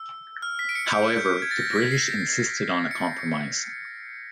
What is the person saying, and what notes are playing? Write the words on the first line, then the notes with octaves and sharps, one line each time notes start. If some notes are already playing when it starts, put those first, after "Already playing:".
However, the British insisted on a compromise.
Already playing: E6
F6
B6
D7
C#7
G6
G6
G#6
A6
A#6
A#6
B6
C7
C#7